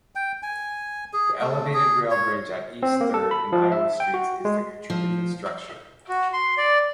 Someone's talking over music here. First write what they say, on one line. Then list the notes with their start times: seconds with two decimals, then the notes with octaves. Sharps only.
The elevated rail bridge at East Third and Iowa Streets is the contributing structure.
0.15 G5
0.43 G#5
1.13 G#4
1.41 A3
1.74 G#4
2.11 C#5
2.83 C4
3.01 A#3
3.14 A4
3.31 B5
3.53 F3
3.72 E5
4.00 G5
4.14 F#4
4.45 G#3
4.90 F3
6.09 F#4
6.33 C6
6.57 D5